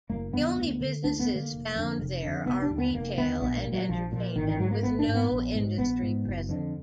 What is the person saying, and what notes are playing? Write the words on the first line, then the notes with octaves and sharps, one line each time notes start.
The only businesses found there are retail and entertainment, with no industry present.
F#1 A#3
F2 D3 B3
D2
D3
D2 D4
B3
D3
A#3
F1
F2 D3
F1
F2 D3
F1 B3
D4
D#2 D3
B3
F1 A#3
D#2 D3 B3
A#1 B3
A#3
A#2
F#3
A#1 F3
A#2 F3
G#1 D#3
D#3
G#2 F#3
A#3
G#1 B3
D4
G#2
B3
A#1
G#2
A#1 B3
G#2
F#1
F2 D3